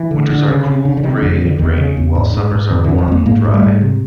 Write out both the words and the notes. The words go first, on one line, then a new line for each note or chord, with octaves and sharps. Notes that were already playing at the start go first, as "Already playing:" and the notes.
Winters are cool, gray and rainy, while summers are warm and dry.
Already playing: E3
D3
D3
C#3
C#3
C#3
D3
C3 D#3
D3
F2
D3
C3
D3 E3
E2 D#3
C#3
E2
G#2
G#2
G#2
F2 D#3
D3 E3
F2
D#3 F3
F2 G#3 A#3
G#2 G#3 A#3
G#2
G3 A3
G#2
C3